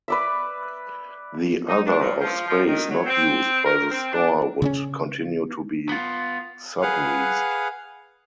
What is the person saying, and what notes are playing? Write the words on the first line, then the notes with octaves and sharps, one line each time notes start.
The other of space not used by the store would continue to be subleased.
B4 D5 E5
D#4
D4
A#2
F3
F3
D#3
F#3
C4
A#4
C4
D4
C#3 C4 C#4
B3 F4
G#4 B4 F5 F#5